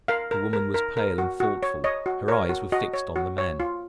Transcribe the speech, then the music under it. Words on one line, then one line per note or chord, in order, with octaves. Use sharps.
The woman was pale and thoughtful, her eyes were fixed on the man.
A#4 F5
A#4
A#4
A#4
A#4
F#4
F#4
C#5
C#5 D#5
F#4
A#4 C#5
F#4
F#4 D#5
C#5
F#4
C#5
F4